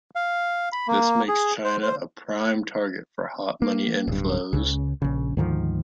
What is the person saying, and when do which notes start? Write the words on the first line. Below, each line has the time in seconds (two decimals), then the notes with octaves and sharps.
This makes China a prime target for hot money inflows.
0.16 F5
0.72 B5
0.88 A#3
1.28 G#4
1.65 C5
1.82 C5
3.62 A#3
4.08 D1 G2
4.53 C#2 C#3
5.02 A#1 C#3
5.37 D2 G#2 D#3 F3